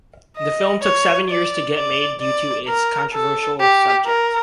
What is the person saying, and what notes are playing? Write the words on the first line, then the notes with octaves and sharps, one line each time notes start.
The film took seven years to get made due to its controversial subject.
D#5
C#5
D5
D5
D5
A#4
A4
G4
A#4